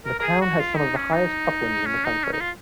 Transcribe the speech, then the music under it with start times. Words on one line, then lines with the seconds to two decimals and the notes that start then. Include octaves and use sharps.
The town has some of the highest uplands in the county.
0.05 A#4
0.19 A#4
0.23 G#4
0.42 F#4
0.60 F4
0.77 D#4
0.97 C#4
1.14 D#4
1.86 C#4
2.05 D#4
2.24 C#4
2.33 D#4
2.41 F4